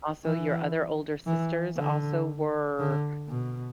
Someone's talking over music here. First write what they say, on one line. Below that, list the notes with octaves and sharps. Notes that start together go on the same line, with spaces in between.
also, your other older sisters also were
E3
E3
D3
D3
B2